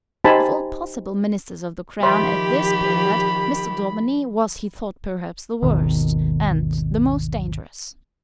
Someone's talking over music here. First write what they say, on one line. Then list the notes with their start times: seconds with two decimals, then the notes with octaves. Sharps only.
Of all possible Ministers of the Crown at this period, Mr. Daubeny was he thought perhaps the worst, and the most dangerous.
0.24 D#4 G4 C5 G#5 A5 B5
2.03 D#3 F3 G4 C5 E5 B5 C6
5.63 G#1 D#2 B2 D#3